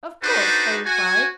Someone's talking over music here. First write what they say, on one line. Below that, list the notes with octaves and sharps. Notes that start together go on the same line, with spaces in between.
'Of course,' I replied.
D4 D#4 F#4 A4 B4 C5
F#4 G#5